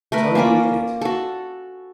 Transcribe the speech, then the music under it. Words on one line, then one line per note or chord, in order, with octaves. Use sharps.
"So be it."
A3 A#4 B4
A#3 C#4 F4 D5
F#4 A4